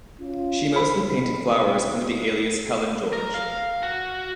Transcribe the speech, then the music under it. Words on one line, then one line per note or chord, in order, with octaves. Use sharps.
She mostly painted flowers under the alias Helen George.
C#4 F4
C5 B5
F#1 C2 F2
B1 F2 C3
A#4
F5
F#4